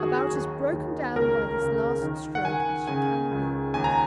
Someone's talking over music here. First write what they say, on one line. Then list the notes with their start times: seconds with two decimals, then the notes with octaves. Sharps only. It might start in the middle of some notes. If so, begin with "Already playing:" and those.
'About as broken down by this last stroke as she can be.'
Already playing: F#2 D#3 F#4 G#4
0.30 D#2
0.73 D#2
1.15 C#2 A#4
1.58 C#3
2.02 D#3
2.35 F#5
2.45 D#3 G#5
2.88 C#3 G#5
3.31 C#2
3.74 D#2 G#5
3.84 A#5